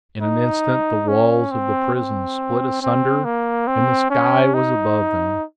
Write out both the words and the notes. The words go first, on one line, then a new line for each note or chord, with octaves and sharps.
In an instant the walls of the prison split asunder, and the sky was above them.
D#4
C#4
C4
C4
C4
A#3
C4
C#4
D#4